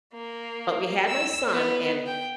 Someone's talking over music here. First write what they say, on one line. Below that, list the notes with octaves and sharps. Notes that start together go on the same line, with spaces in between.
But we had my son, and
A#3
E6
B3
G5